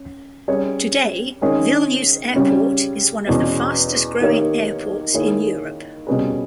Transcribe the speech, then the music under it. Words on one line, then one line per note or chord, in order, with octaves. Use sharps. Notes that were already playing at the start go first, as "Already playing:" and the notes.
Today, Vilnius Airport is one of the fastest-growing airports in Europe.
Already playing: C#4
G3 C#4 G#4 C#5
D#3 G#3 C#4 G#4 C#5
C#3 G3 C#4 G4
E2 B2 G#3 C#4
D#3 A#3 D#4 G4 C#5
D#3 A#3 E4 G#4 C#5
B2 G3 C#4 G#4 B4